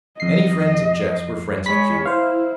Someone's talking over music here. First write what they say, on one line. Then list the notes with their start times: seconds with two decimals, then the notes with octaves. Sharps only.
Any friends of Jeff's were friends of Cuba.
0.20 F2 D#5 C7
1.66 G#3 C#5 B5 B6
2.06 E4 C5 F5